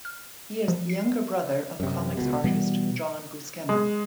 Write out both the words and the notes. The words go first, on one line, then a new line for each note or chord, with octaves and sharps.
He is the younger brother of comics artist John Buscema.
F6
F3
C7
F#2 C3
C#2 B2
B2 E3 G3 B3
G#3